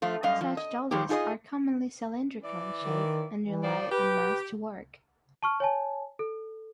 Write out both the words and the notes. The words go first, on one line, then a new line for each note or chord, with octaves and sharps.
Such dollies are commonly cylindrical in shape, and rely on mass to work.
F3 A3 F4
F#2 G3 D#5 F5
F3
D#5
F2 D#3 G#3 C4 G4
D#4 F4 G#4 B4 D#5
E3 E4 D5
D#3
E3
D#3 F3 D5
G4 B4
A5 C#6 F6
C#5 G#5 A5
A4